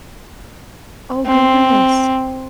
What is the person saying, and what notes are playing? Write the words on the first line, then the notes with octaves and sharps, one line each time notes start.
Oh, goodness.
C4